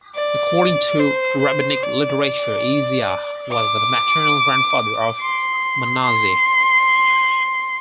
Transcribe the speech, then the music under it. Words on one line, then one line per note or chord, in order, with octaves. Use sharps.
According to rabbinic literature, Isaiah was the maternal grandfather of Manasseh.
D5
C5
C5
D5
D6
C6
C6